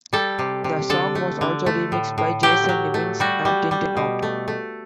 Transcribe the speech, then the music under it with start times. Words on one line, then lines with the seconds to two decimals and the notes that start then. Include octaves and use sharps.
The song was also remixed by Jason Nevins and Tin-Tin Out.
0.13 G3 A4
0.39 C3
0.64 C3
0.90 D3 A4
1.15 A3
1.41 D3
1.66 A3
1.92 A2
2.18 A2
2.43 F#3 G4
2.69 F#3
2.94 A3
3.20 G3 F#4
3.45 G3
3.71 G3
3.97 B2
4.23 A3
4.48 A3